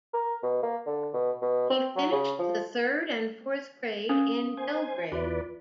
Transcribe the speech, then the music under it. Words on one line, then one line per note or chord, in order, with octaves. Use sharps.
He finished the third and fourth grade in Belgrade.
A#4
B2
A#3
D3
B2
B2
C4
F#3
C#3
F3
C#4 A#4 F5 D#6
C5 G#5
E2 F#4 B4 D5 E5
F4